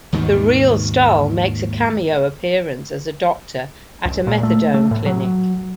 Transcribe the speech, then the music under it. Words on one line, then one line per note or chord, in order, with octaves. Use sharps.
The real Stahl makes a cameo appearance as a doctor at a methadone clinic.
D#2 G#2 B2 D#3
C#2
A#2
A3
A3
A2
F#3